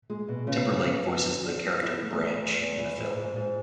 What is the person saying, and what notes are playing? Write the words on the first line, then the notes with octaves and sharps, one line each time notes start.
Timberlake voices the character "Branch" in the film.
G#3
B2
C#3
B3
B3
F#4
D3
E2
E2
E4
A3
E2
E2
E2
E3
G#2
G#2
G#2